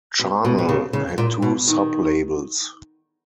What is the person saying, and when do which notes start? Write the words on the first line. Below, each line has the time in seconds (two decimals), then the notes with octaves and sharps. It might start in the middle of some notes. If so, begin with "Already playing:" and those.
Charnel had two sub-labels.
0.19 B2
0.45 B2
0.58 B2
0.69 C#3
0.93 C#3
1.18 A#2
1.42 B2
1.68 D#3